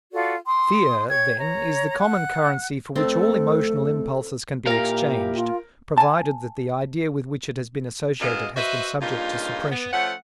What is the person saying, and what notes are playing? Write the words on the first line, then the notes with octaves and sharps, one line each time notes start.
Fear then is the common currency for which all emotional impulses can be exchanged, provided that the idea with which it has been associated has been subject to suppression.
F4 F#4 A4 D5
G5 C6 D#6
C#5 G5 G#6
C#5 A#5
F#5 F#6
F2 A3 C4 A4
A#2 E4 G4 A#4 F5 A#6
F4
G#5 A5
F#2 G#3 B3 E4 D#5 F5
F#4 B4 C5 D#5 E5
G2 A#2 C#3 D#4 F4
B3
F3 A3 C#4 F#5